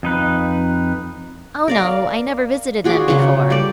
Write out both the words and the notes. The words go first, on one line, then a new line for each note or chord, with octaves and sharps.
"Oh, no. I never visited them before."
F2 D#4 B4
A#4 D5 F5
F4 F#4 G#4 D5
C#3 F#3 C#4
G3 A4 D5